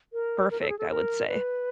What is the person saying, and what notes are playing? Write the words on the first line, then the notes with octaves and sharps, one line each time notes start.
perfect, I would say.
A#4
A#4
A4
G#4
A4
A#4
B4